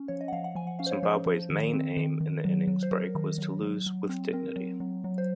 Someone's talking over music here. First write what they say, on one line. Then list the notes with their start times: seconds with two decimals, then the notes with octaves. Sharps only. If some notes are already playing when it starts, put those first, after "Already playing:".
Zimbabwe's main aim in the innings break was to lose with dignity.
Already playing: C#4
0.08 F3 C#5
0.21 D#5
0.28 F#5
0.33 F3 F5
0.44 F#5
0.55 F3 G#5
0.67 F#5
0.79 C#4 F5
0.86 C5
0.91 C#5
1.03 F3 C5
1.26 F3
1.50 D#3
1.73 C4
1.97 D#3
2.20 D#3
2.45 F#3
2.67 F#3
2.83 C5
2.91 F#3 A#4
3.15 D#3
3.38 F#3
3.63 F#3
3.86 F#3
4.09 C4
4.33 C4 A#4
4.56 F#3
4.80 F#3
5.04 F#3
5.18 C5